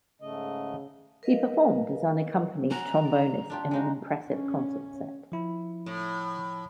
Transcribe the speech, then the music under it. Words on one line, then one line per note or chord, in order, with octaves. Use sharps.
He performed as unaccompanied trombonist in an impressive concert set.
G#2 C#3 A3 D#5
A#4 B4 D#5 F5
C#4 F#4 A#5
D5
D4 F4 G4
G#3 D#4 F#4
C#4
F3 E4 B5
A2